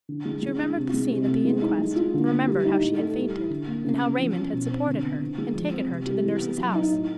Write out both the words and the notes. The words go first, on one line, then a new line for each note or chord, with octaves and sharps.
She remembered the scene at the inquest, and remembered how she had fainted, and how Raymond had supported her and taken her to the nurse's house.
D3
G#3
G#3
D4
C3
G#3
C3
A3
G#3
D#4
G#3
F4
D3
A#3
G3
D#4
A2
A3
G3
E4
D3
A#3
C#3
B3
F3
C#4
B2
C4
D3
B3
D3
G#3
F3
C4
C3
G3
E3
B3
F#3
D#4
A2